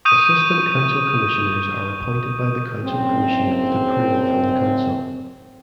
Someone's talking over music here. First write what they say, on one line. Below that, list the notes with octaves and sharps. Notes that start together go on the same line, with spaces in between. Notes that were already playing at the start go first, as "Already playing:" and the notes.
Assistant council commissioners are appointed by the council commissioner with approval from the council.
C#6 D#6 G6 D#7
F#1 C4